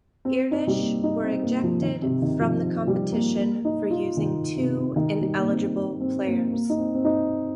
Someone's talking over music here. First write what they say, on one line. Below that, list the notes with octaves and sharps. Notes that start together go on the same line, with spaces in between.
Irtysh were ejected from the competition for using two ineligible players.
C4
D#4
G3
A#3
D#4
C4
A#3
F3
D#3
C3
D#3
F3
G3
A#3
A#3
D#4
F4
D#3
C3
D#3
G3
A#3
C4
C4
A#3
A#3
D#4
C4
C4
D#4